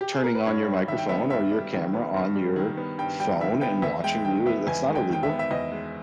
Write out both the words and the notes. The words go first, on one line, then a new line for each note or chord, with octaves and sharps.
turning on your microphone, or your camera on your phone, and watching you, it's not illegal.
G4
G#4
A#4
B4
G2 C#5
G3
D#3 E5
G5
B3 E5
G2 E5
G3
D#3
B3
G2
G3
D#3
B3
G2 G5
G3 G5
D#3 E5
B3 G5
E2 E5
G#3 G5
D#3 G5
B3 E5
E2 G#5
G#3
G5
D#3 G5
E5
B3
E5
E2 D#5
G#3